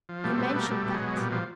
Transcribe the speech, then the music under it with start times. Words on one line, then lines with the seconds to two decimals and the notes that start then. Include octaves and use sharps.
You mentioned that.
0.09 F3
0.24 B2 G3 A3
0.38 B2 C4
0.48 B3
0.56 B2 A#3
0.71 B2 G3 A3
0.86 B2
0.94 F#3 G#3
1.02 B2
1.17 A#2 G3
1.32 F3 G3